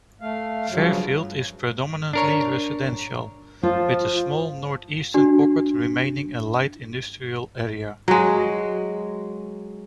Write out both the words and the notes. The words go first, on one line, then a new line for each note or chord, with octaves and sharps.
Fairfield is predominantly residential, with a small north-eastern pocket remaining a light industrial area.
A3 F5
G2 C#3 F3 F#3
D4 A#4 C#5
F3 F4
D4 F#4
F#3 G#3